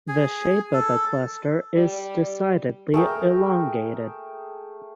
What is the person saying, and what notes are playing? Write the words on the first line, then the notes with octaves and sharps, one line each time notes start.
The shape of the cluster is decidedly elongated.
G#4
A4
G3
A3 G#4 A#4 G5